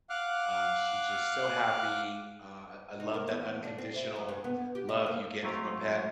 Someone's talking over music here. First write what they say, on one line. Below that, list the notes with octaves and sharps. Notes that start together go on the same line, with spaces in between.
um, she's just so happy, uh, I I love that unconditional love you get from a pet
F5 F#5 D6 F6 F#6
D#4
A#3
E2
D4
C4
E4
F#2
G2
B3
G4
D#4
A#3
G#2 F#3 A3 C4 F4